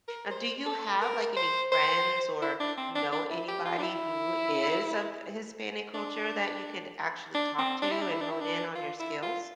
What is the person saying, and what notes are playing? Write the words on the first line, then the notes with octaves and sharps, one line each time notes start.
Now do you have, like, any friends or know anybody who is of Hispanic culture that you could actually talk to and hone in on your skills?
A#4
C5
A4
A#4
C5
C5
E4
D4
C4
D4
D4
E4
G4
F4
D4
E4
D4
D4
C4
D4
E4
D4
E4
D4
E4
D4
F4
E4
F4